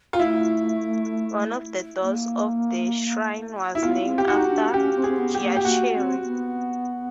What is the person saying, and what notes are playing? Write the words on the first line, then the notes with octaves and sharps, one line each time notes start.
One of the doors of the Shrine was named after Giachery.
F4
A3 E4
A#3
E4
B3 F4
C4
G4
D#4 F#4
D4
C#4 G4
C4
G#4
C4
B3
G4
A#3
G4
A#3 F#4
C4
B3